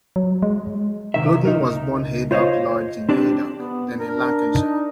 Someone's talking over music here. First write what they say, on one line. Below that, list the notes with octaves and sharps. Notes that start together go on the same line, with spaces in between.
Claughton was born Haydock Lodge in Haydock, then in Lancashire.
F#3
G#3
C3 D#3 E5
C#2 D#4 A#4
F4 C5 C#5 D#5 F5
C4 D4 G4 D5
B3
D4 A#4
D#4